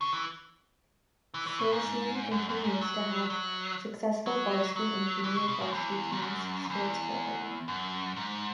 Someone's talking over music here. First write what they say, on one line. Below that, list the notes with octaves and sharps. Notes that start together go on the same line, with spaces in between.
Salesian continues to have successful varsity and junior varsity team sports program.
C#3
E3
E3
E3
B2
G#2
F#2
F#2
G#2
F#3
F#3
F#3
F#3
E3
C#3
B2
G#2
E2
G#2
F#2
E2
F#2
G#2